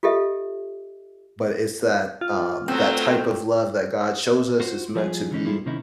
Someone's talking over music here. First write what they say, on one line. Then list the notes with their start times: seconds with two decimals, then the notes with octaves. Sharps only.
but it's that, um that type of love that God shows us is meant to be
0.03 F4 G4 A4 D#5 E5
2.21 F4
2.68 F#3 A3 B3 C4
4.60 F4 F#4 C5
4.95 F3 G3 F4 G#4
5.31 D3 E3 C#4 D#4
5.46 G3 A#3 E4 F4 G#4 A4
5.66 C3 D#3 A#3 C#4 D#4 E4